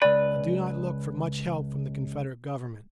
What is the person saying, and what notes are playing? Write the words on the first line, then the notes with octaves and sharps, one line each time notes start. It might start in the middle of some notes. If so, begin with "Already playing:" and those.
I do not look for much help from the Confederate Government.
C#2 B4 D5